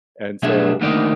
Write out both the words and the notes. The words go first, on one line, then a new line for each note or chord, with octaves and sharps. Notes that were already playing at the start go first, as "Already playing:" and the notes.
and so
B2 F#3 A3 D4 G#4 E5
D3 D#3 A3 A#3 D#4 D5